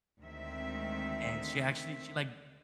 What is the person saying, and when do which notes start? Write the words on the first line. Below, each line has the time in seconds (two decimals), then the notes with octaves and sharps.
and she actually, she like
0.20 D2 D#3 G#3 C4 E5